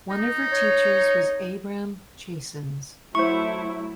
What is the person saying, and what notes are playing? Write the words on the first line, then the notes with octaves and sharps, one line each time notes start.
One of her teachers was Abram Chasins.
D#4
C#5
F#3 A3 E4 C5 C#6